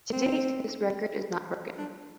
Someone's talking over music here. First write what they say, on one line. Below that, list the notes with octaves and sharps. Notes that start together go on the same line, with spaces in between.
To date, this record is not broken.
C4
D4